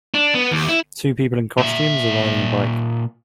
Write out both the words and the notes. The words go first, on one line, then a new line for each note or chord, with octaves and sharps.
Two people in costumes are riding a bike.
D4
B3
D#2
E4
A#2 E5